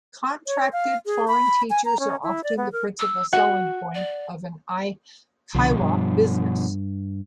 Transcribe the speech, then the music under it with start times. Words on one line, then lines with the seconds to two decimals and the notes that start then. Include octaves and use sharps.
Contracted foreign teachers are often the principal selling point of an eikaiwa business.
0.47 C#5
0.73 F5
1.06 G#4
1.28 B5
1.70 G#5
1.85 A#5
2.00 C#4
2.23 E4
2.43 D5
2.57 B3
2.72 A#4
2.99 E6
3.33 F#4 F#5
3.95 D5
5.55 C2 B2 D3 F3
5.81 G2